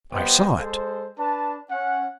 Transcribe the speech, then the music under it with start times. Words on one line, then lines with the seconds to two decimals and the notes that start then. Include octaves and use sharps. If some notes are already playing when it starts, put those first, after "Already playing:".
"I saw it."
0.12 G3 B3 C5 D#5 G5
0.58 G#3 A4 C5
1.18 D4 B4 A5
1.70 C#4 F#5